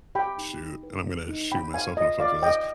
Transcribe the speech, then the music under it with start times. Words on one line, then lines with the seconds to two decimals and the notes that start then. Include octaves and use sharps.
shoot, and I'm gonna shoot myself in the foot for this.
0.15 G4 G5 B5
0.38 D#4
0.61 D#4
0.83 B4
1.06 G4
1.29 D#4
1.51 C5 G5 B5
1.74 C5 F5 G#5
1.97 F4 D#5
2.19 F4 D5 F5
2.42 C5 D#5 G5